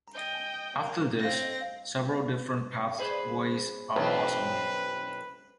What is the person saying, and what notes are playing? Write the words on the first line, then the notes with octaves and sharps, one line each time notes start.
After this, several different pathways are possible.
D#5 G5
A#3
C4 A#6
G#4 B4 C5
B1 F#2 E3 C4 B4